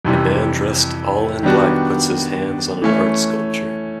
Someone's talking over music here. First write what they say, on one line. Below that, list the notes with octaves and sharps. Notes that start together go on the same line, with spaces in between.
A man dressed all in black puts his hands on an art sculpture.
F2 C3 E3 G3
D#3 G3 B3 D4 F#4
E3 A3 C#4